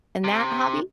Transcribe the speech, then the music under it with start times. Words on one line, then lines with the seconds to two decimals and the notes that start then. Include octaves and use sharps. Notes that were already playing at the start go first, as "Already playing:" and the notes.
in that hobby.
0.24 C3